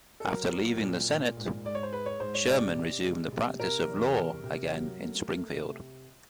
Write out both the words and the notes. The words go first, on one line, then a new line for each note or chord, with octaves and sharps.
After leaving the Senate, Sherman resumed the practice of law again in Springfield.
A4
F#3 A#4
F#3
A#2
A#2
G#2
G#2 D5
C#5
C5
G#3 B4
C#5
G#2 C5
C#5
C3 D5
C3
G#3
C3
C3 A#4
E2
C3
C3
F#3
A3
A3
C3